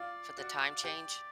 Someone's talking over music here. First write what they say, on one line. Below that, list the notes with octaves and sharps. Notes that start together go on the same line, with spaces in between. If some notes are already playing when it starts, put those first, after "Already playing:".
for the time change
Already playing: F4 D5 F5
F#4 D5 F#5
G4 G5